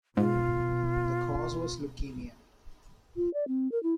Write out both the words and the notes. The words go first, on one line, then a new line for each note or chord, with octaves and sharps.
The cause was leukemia.
G#2 B2 F4
F4
D5
C4
A#4
E4